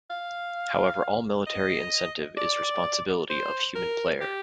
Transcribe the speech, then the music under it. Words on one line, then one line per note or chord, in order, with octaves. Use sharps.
However all military incentive is responsibility of human player.
F5
D#5
D5
C5
A#4
G4